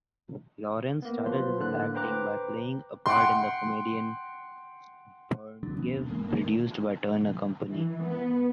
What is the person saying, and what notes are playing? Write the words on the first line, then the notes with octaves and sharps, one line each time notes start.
Laurance started his acting by playing a part in the comedian “Birngev” produced by Turner Company.
A#3 B3
F3 F#3 B4 C5 C6
A2 D3 A#3 A4 F#6
B4 C5 G5 A#5 D6 F#6
F#5 G5 C6
D3 F#3 D4
C3 E3 B3 C#4
E1 A#2 D3
F#1 E3 G#3 A#3
D#3 A3 A#3
E3
B3